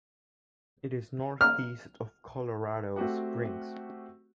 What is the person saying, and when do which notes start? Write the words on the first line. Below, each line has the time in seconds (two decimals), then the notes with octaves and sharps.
It is northeast of Colorado Springs.
1.41 F6
2.96 A3 C4 F#4 G4 F#5